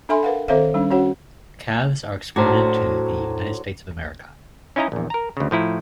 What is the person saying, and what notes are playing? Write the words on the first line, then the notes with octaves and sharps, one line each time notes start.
Calves are exported to the United States of America.
D4 A4 E5 G#5 B5 C6
A#4 B4 F5 F#5
D#3 C4 A4 C5 E5 F5
G3 C#4 D4
C#4 F#4 C#5 F#5
A2 F#3 D4 F#4 C5
C#4 D#4 E4 D#5 F5 A#5
A#1 E2
A#4 A#5
D2 C#3
A2 F3 E4 A#5